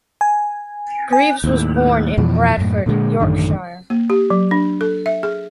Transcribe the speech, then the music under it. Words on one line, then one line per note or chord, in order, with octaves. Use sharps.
Greaves was born in Bradford, Yorkshire.
G#5
G#5
D#2 A2
F2 B2 E3 F3
F#2 A2
A#2 D3 G3 G#3
A1 F#2 D3 D#3
A#3
G4
F#3
D4
A4
E5
G#4